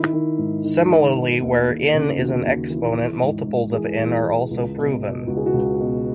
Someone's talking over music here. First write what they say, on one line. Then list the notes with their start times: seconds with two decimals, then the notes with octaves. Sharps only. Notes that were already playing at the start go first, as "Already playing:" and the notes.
Similarly, where "n" is an exponent, multiples of "n" are also proven.
Already playing: D#3 E4
0.13 D#3
0.38 G#2
0.64 D#3
0.90 D#3
1.16 D#3
1.42 D#2
1.67 D#2
1.94 C#3
2.18 D#2 F#4
2.45 D#2
2.70 E3
2.96 E3
3.22 G#2
3.47 G#2
3.73 E3 G#4
3.98 E3
4.25 E3
4.51 C#2
4.77 B2
5.02 B2
5.27 C#2 F#4
5.37 G#4
5.46 F#4
5.54 C#2
5.80 B2